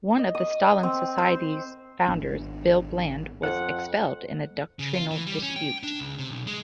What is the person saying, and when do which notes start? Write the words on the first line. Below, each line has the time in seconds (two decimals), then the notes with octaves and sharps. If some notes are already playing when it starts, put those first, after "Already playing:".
One of the Stalin Society's founders, Bill Bland, was expelled in a doctrinal dispute.
0.19 D#5
0.35 D#6
0.83 C4
1.18 C5
2.07 G#1 B3 D4
3.43 F2 F#5
4.79 C#3
4.93 F4
5.11 E3
5.27 G3
5.42 C#4
5.56 G5
5.83 D4
5.99 C#2
6.19 C3
6.30 B1
6.47 G#3